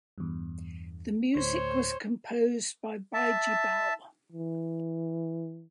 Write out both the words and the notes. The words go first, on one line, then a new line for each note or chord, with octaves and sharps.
The music was composed by Bijibal.
E2 G2
D2 A2 C5 C#5
E5 A5
E3